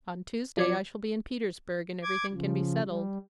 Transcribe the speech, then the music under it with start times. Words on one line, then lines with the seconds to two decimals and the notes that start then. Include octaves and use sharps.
"On Tuesday I shall be in Petersburg, and everything can be settled."
0.57 F3 D5 D6 G#6 C#7
2.03 D6 G#6
2.33 C#3 F3
2.85 G3